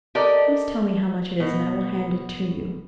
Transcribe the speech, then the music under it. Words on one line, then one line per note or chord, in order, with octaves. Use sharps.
Please tell me how much it is and I will hand it to you.
G4 A4 A#4 D5 D#5
B2